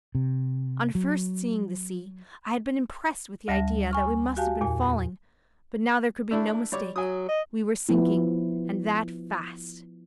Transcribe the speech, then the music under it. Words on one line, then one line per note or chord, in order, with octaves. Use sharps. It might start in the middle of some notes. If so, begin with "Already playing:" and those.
On first seeing the sea I had been impressed with the idea that we must have been falling, but now there could be no mistake, we were sinking, and that fast.
C3
F#3
D2 G3 E5 A5 A#6
G#5 C#6 F6
F#4 G4 F5 G#5 A5
E2 A#2 G#5
A3 D4 E4
G3 C#5 D6
F#3 G#5 D#6
D#5
F3 B3 E4